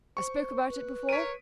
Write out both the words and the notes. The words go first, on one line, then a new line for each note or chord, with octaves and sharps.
I spoke about it before.
C5 C#6
B4
A#4 C#5 B6 D7 D#7